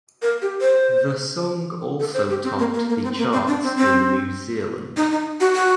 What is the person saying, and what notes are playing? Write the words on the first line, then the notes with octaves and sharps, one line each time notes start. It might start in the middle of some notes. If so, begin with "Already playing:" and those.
The song also topped the charts in New Zealand.
A#4
G4
C5
A4
C5
G4
C4
A#3
A#3
A#3
C4
A#3
C4
D4
C4
C4
D#4
D#4
F#4
F#4